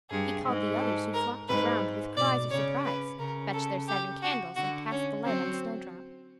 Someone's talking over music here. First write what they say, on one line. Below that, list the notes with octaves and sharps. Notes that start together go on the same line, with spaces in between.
He called the others, who flocked round with cries of surprise, fetched their seven candles, and cast the light on Snowdrop.
G2 G#4
G#2
A4
A#4
G#2 B4
B2 D5
C#3 C#5
B4
C#3 A#4
A4
G4
F#4
D3 F#4
C#4
F#3 C4